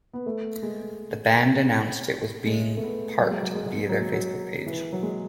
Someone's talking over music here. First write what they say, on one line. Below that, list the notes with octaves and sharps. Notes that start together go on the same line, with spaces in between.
The band announced it was being "parked" via their facebook page.
B3
A3
G#3
G#3
A3
B3
F#3
G#3
F#3
G#3
F#3
G#3
F#3
G#3
F#3
E3
F#3
G#3